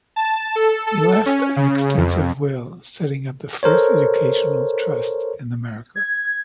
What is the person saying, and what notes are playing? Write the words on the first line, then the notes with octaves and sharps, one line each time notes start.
He left an extensive will, setting up the first educational trust in America.
A5
A4
A4
C#4
C#3
F2
A4 A#4 C5 C#5
G#6